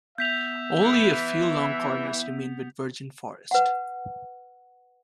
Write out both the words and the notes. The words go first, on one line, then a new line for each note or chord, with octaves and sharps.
Only a few long corners remain with virgin forest.
B3 E5 G6 B6 F7
E3
B4 F#5